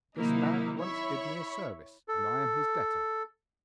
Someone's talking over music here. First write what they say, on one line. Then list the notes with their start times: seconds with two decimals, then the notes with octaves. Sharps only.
'This man once did me a service, and I am his debtor.
0.18 C3 D#3 F#3 A#3 D#4 E4
0.79 E4 C#5 E5 B5 C#6
2.08 A4